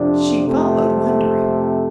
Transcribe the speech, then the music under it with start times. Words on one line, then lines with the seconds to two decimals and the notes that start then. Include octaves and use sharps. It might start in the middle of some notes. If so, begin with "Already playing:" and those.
She followed, wondering.
Already playing: F2 C3 F3 D4
0.45 F2 C3 A3